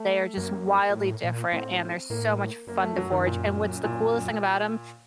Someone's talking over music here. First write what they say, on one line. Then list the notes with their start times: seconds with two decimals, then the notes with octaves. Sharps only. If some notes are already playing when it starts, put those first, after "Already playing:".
They are just wildly different, and they're so much fun to forage, and what's the coolest thing about 'em
Already playing: A3
0.37 F#2 A#3
0.90 A#2
0.95 A2
1.24 A#2
1.52 A2 C4
2.10 A2 A#3
2.67 F#2 A#3
2.83 A3
2.97 F#3
3.11 D#3
3.26 A#2
3.84 A#2